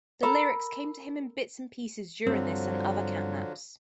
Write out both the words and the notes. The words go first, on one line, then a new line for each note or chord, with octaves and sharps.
The lyrics came to him in bits and pieces during this and other catnaps.
A4 A#4 A#5 B5
G2 D3 F3 F#3 C4